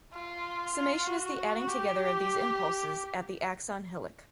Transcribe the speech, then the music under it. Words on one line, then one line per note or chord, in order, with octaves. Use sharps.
Summation is the adding together of these impulses at the axon hillock.
F4
F4
F#4
G4